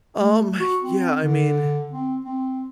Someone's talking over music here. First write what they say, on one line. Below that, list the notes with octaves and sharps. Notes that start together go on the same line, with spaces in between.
Um, yeah. I mean,
A3
F#4
C4
D3
C4
C4